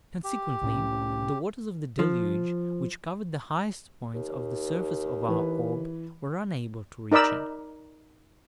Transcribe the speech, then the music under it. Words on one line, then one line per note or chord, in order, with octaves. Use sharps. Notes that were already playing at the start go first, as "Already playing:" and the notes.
Consequently, the waters of the Deluge, which covered the highest points of the surface of our orb, were unable to reach it.
G4
C2 A2 C#4
F3
D#2
E3 B4
D#4 A#4 D5 B5 E6